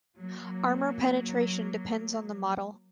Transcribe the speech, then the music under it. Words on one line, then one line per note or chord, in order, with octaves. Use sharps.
Armour penetration depends on the model.
F#3 A#3